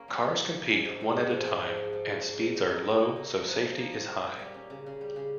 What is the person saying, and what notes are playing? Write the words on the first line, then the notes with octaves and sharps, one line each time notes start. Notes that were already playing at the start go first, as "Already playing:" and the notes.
Cars compete one at a time and speeds are low so safety is high.
Already playing: A#3 C#4
G3
G3
G3
A#2
G#3
G#2
G#2
G#2
F3
G#2
F3
G#2
G#2
G#2
G#2
G#2
D#4
D#4
D#4
A#2
D#4
D#4
F3
F3
A#3
D#4
A#3
A#2
G3
C#4
C#3
C#3
G3
C#3